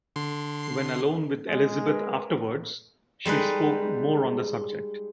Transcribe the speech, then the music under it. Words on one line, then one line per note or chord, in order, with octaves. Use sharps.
When alone with Elizabeth afterwards, she spoke more on the subject.
D3 C6 C7
G#3
A#4 B4
G3 G#3 D#4 B4